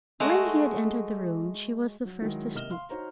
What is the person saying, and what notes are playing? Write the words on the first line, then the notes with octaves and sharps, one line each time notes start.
When he had entered the room she was the first to speak.
G#3 A3 F#4
F#3
D#3 F#3 G#3 E4
C3 A#3 D#5 F6 E7 G7
F5 C6 F6
D#4 F#4 C5 C#5 A#5